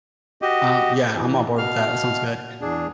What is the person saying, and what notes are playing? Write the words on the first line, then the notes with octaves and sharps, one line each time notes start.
Um, yeah, I'm on board with that, that sounds good.
F#4 G4 D#5
E3
B2 F5 F6
E2 D4 G#4